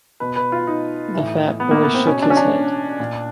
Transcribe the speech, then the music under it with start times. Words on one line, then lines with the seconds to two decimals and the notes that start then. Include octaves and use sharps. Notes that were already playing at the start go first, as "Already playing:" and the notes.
The fat boy shook his head.
0.20 B2 B4
0.36 B4
0.52 F4
0.67 D#4
1.14 A2 E3
1.60 B3
1.71 A#3
1.83 B3
1.94 C4
2.07 B2 C#4
2.22 D4
2.30 C#4
2.37 D4
3.00 A#2